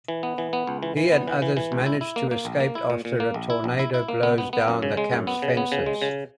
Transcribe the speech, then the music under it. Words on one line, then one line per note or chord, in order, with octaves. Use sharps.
He and others manage to escape after a tornado blows down the camp's fences.
E3
B3
E3
B3
C#2
E3
E3
B3
E3
E3
E3
C#2
E4
E4
A#3
A#3
A#1
A#3
E4
A#2
A#2
A#3
A#1
E4
A#1
E4
E4
A#3
B3
B3
B3
F#2
C#3
G#3
F#2
B3
C#3
B3
C#3
G#3
C#3